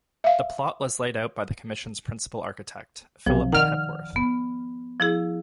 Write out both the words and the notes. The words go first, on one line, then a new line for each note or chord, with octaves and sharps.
The plot was laid out by the Commission's Principal Architect, Philip Hepworth.
E5 F5
B1 C3 F3
D#3 D5 F#5 F6
B3
F3 E4 G#4